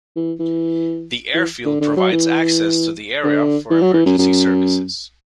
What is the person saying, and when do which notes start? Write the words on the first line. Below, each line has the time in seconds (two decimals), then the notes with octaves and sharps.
The airfield provides access to the area for emergency services.
0.16 E3
0.39 E3
1.34 E3
1.65 D3
1.81 D3
1.97 F#3
2.12 E3
3.24 D3
3.71 E3
3.82 F#3
3.94 E3
4.06 F#2
4.18 F#2